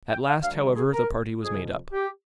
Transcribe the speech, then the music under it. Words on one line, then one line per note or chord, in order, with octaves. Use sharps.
At last, however, the party was made up.
G5
F5
D2 D3 G3 F5
G#4
A#4
F2 C3 F3 G#4
G4